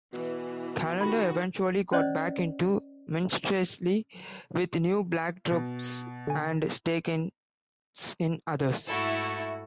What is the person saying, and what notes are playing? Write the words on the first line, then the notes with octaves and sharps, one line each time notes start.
Callender eventually got back into minstrelsy with new black troupes and stakes in others.
B2 E3
D#3 F#4 G4 B5
C#4 C5 D5 D#5
B2
D3 G#5
G#2 A3 E4 F#4 A4